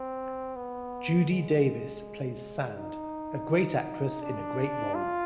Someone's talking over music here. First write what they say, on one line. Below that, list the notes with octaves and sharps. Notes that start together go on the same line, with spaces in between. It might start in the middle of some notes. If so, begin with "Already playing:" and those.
Judy Davis plays Sand-a great actress in a great role.
Already playing: C4
B3
G#3
D#4
D4
F4